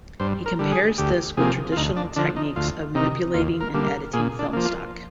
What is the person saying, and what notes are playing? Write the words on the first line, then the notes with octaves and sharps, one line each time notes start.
He compares this with traditional techniques of manipulating and editing film stock.
G2 C5
A#4
D3 G3
G#4
D2 G4
C3 F3 A#3 G#4
F4
D2 D#4
D4
D3 F3 D4
D#4
D2 F4
C3 D#3 D#4
D#2 F4
A#4
D3 G3 A#3
A#4
A#2 G#4
D4
F3 A#3
F4